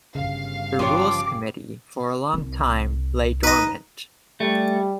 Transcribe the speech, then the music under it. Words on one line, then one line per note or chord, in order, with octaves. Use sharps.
The Rules Committee, for a long time, lay dormant.
G1 C#3 F5
F3 B3 C#4 G4 C#5 D6
C2
D#4 B4 D#5
G3 A3